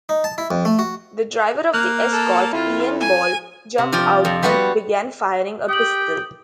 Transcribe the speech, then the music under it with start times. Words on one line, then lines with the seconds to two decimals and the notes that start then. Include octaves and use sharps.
The driver of the Escort, Ian Ball, jumped out and began firing a pistol.
0.09 D#4
0.24 A5
0.38 E4
0.51 F2
0.65 A3
0.79 F#4
1.74 A#3 F6 F#6
2.12 A4
2.53 F2 E4 F4
3.00 G#5
3.78 C3
3.92 F3 F4 D5 G5
4.25 F2
4.43 G3 B3 F#4 B4 F#5
5.69 G4 G5 D#6 F#7